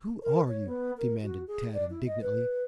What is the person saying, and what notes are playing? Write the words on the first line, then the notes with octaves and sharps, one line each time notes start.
"Who are you?" demanded Tad indignantly.
A#4
C#5
B3
A#4
F#4
G#4
D5
E4
D#5
B4